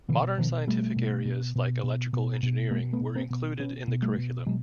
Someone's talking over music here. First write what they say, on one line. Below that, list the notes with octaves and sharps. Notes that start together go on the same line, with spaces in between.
Modern scientific areas like electrical engineering were included in the curriculum.
B2 D3 E3
B2 D#3 F3
B2 G3 A3
B2
B2
B2
B2
B2
B2
B2 G#3 A#3
A3 B3
B2
A#3 C4
B2
B2 B3 C#4
B2
G3 A3
B2
B2 F#3 G#3